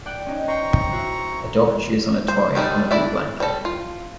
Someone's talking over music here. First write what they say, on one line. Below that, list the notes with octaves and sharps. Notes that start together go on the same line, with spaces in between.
A dog chews on a toy on a blue blanket.
D5 F#5 G5
C#4 D#4
C5 G5 A#5 C#6
E4 F#4 C5
G#3
C5
D#3 G3 D4 D#4
D4 E4 D5 E5
G3 A4
F4